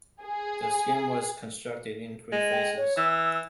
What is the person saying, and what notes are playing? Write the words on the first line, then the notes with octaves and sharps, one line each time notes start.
The scheme was constructed in three phases.
G#4
G#3
G5
C#5
E3 E6